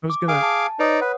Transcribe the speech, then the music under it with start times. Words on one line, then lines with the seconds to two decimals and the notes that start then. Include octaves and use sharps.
I was gonna
0.10 D6
0.28 G#4 F5 G#5 D6
0.43 A5
0.79 D#4 B4 C#5 D5 D#6
1.01 B4 F#5